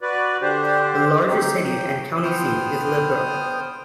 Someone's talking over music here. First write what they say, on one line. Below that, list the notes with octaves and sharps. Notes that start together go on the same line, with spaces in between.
The largest city and county seat is Liberal.
F#4 B4 D5
D3 D4 G4 C5
C4 D#4 G4
G5
B3 C5 G5 D#6 F6